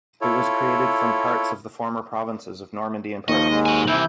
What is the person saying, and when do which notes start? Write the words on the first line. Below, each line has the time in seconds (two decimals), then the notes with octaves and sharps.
It was created from parts of the former provinces of Normandy and Perche.
0.21 E4 F4 A4 C#5
3.28 D#2 F3 D#5 C#6
3.49 G#2 G#3
3.66 F#4 G#5
3.87 C2 C3 E3 E4 G6